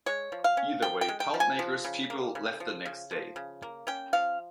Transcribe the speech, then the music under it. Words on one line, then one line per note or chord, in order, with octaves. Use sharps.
Either way, Poundmaker's people left the next day.
G#3 C#5
F3
F5
C#4
F3 G5
G5
G#3
G5
F3
G#5
F3
C#3
A#3
C#3
F3
C#3
F3
C#3
A#3
C#4 G5
F3 F5